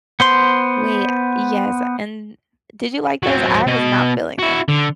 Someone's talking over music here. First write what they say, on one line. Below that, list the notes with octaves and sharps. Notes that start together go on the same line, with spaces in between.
Wait, uh, yes, uh, and did you like those? I was not feeling them.
B3 C5 C6
F#3 C4
B2 D#5
E4 F#4
D3